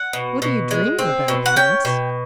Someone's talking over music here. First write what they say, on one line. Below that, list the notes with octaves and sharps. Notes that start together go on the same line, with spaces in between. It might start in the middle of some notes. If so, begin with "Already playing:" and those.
'What are you dreaming about, Prince?'
Already playing: F#5
B2
B2
G#3
C4
B2
F#5
C#4 G5
B2